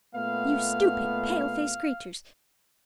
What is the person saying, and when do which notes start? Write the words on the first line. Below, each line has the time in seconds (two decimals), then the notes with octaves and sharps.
You stupid, pale-faced creatures!
0.15 A#2 A3 B3 F5